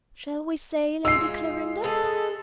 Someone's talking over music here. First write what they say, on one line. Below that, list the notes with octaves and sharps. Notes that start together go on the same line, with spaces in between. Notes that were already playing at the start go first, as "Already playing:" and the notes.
Shall we say Lady Clarinda?
G#3 F4 E6 C7
G#3 G#4 A4 B4